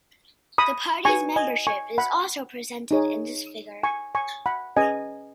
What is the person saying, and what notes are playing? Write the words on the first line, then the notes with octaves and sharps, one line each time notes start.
The party's membership is also presented in this figure.
B5 D#6
D#4 F#4 B4 G#5 C#6
D#5 G#5
G#5 C#6
F#5 B5
D#4 G#4 C#5
G#5 C#6
G#5 C#6
F#5 B5
C#4 G#4 B4 D#5 G#5